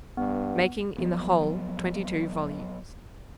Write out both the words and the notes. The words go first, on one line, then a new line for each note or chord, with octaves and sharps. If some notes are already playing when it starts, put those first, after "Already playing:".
Making in the whole twenty-two volumes.
G2 B3
F3 F#3 B3